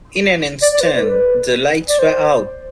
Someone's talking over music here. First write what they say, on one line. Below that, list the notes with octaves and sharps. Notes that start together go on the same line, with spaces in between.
In an instant the lights were out.
D5
D5
B4
C5
B4
A4
B4
D5
C5